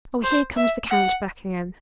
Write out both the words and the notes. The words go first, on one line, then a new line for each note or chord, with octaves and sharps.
Oh, here comes the count back again.
C5
E5
F#5